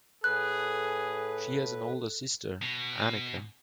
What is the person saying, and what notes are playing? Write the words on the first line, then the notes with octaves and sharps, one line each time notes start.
She has an older sister, Anika.
A2 G#4 A4 B4 F#6
B2